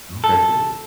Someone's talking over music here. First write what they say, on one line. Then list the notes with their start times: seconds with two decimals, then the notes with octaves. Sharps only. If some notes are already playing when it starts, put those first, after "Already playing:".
Okay, cool.
0.24 A4